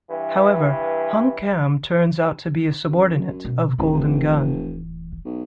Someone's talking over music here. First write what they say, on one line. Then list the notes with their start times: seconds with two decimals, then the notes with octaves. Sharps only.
However, Heung-kam turns out to be a subordinate of Golden Gun.
0.11 G2 E3
2.87 F#2
3.45 B2
3.78 D1 A1 E3
3.92 F1
5.25 B1